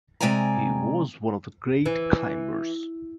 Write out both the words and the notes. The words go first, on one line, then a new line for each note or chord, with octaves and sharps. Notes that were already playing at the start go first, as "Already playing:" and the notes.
He was one of the great climbers.
C3 G#3 D5 G5 G#5 A#5
E3